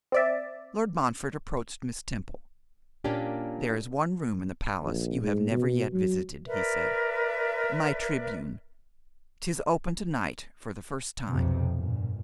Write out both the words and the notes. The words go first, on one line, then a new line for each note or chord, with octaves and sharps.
Lord Montfort approached Miss Temple. 'There is one room in the palace you have never yet visited,' he said, 'my tribune; 'tis open to-night for the first time.'
C4 D5 E5
A#2 A#3 C#4 D4 G4
A#1
G#2
B2
F#3
A#4 B4 D5 E5
B1 F2 C3
G1 A#2